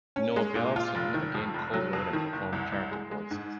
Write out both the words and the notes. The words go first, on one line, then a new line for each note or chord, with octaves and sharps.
Noah Belson again co-wrote and performed character voices.
C#4
G#3
A#2
F4
F1
D#3
F2
F1
F#3
F2
D#3
F#1
C2
C2
G#3
G#3
G#2